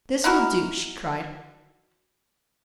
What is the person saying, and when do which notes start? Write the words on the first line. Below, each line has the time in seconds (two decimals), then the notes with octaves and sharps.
"This will do!" she cried.
0.24 D#4 E4 F#4 A#4